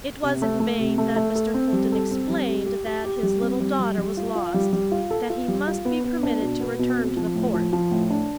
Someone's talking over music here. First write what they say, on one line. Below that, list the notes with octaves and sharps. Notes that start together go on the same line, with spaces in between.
It was in vain that Mr. Fulton explained that his little daughter was lost, that he must be permitted to return to the fort.
C3
A3
A3
C3
A3
A3
A4
C4
G3
A4
C4
G3
G4
G4
G4
G4
G3
C4
G3
G3
G3
F4
F4
G3
G3
F4
A4
F4
G3
F4
B3
B3
D4
B2
B3
B2
C4
F3
A2
F3
F3
A2
D4